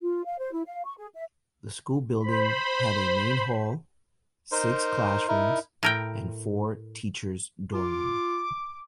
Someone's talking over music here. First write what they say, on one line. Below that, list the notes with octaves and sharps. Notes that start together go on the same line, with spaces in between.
The school building had a main hall, six classrooms and four teachers dorm room.
F4
F5
C5
E4
F5
C#6
G#4
E5
C5 B5
D#4 A#4 C5
D#4 E4 A#4
A2 A#4 G5
F4 D6